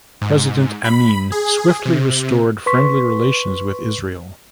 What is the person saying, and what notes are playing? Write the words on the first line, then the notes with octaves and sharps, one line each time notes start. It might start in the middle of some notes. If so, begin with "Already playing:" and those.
President Amin swiftly restored friendly relations with Israel.
G#2
B5
G#4
C3
B4 C6 C#6 B6